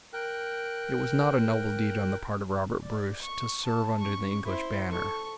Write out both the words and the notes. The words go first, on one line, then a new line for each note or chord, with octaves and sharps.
It was not a noble deed on the part of Robert Bruce to serve under the English banner.
A#4 G5 F#6
D5
C#6
A5
C#4 C#6
E4 C5
A4 C#6